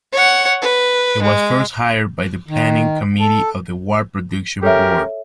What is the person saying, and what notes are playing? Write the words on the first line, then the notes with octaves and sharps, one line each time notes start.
He was first hired by the Planning Committee of the War Production Board.
C#5 F#5
B4
G#3
D#3
A4
C#4 G4 A4 A#4 C#5 E5